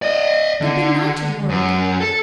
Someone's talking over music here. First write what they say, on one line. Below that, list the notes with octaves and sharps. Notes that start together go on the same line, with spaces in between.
The benighted world!
D5 D#5
D3
F#2
A4